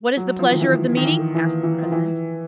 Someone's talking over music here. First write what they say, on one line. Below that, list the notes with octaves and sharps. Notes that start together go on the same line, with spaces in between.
"What is the pleasure of the meeting?" asked the president.
F#3
F3
D#3
E3
D#3
E3
E3
E3
F3
E3